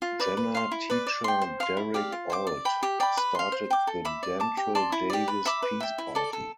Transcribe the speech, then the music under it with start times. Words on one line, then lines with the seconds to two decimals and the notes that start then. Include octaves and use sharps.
Jenner teacher Derek Ault started the Dantrell Davis Peace Party.
0.02 F4
0.20 B4 D5
0.37 B4
0.55 F5 C6
0.72 E4
0.90 B4 D5
1.07 D5
1.24 G5 C6
1.42 C5
1.60 F5 C6
1.77 E4
1.94 G4 D5 F5
2.12 F4
2.30 C5 G5 D6
2.47 D5
2.65 G5 B5
2.83 G4
3.00 D5 G5 B5
3.17 B4
3.35 F5 C6
3.52 C5
3.70 G5 D6
3.87 A4
4.05 E5 B5 D6
4.23 D5
4.40 A5 D6
4.57 G4
4.75 D5 A5 C6
4.92 E4
5.10 G4 D5
5.28 B4
5.45 E5 B5 D6
5.62 B4
5.80 E5 G5
5.98 E4
6.15 A4 D5 A5
6.33 A4